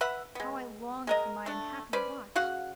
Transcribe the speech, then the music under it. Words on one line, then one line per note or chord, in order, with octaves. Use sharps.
How I longed for my unhappy watch!
B4 E5 F#5
G#3 B3
G#3 A#4 D#5
A3 D4
C#4 B4 C5 D5
C#3 F#4 F5 F#5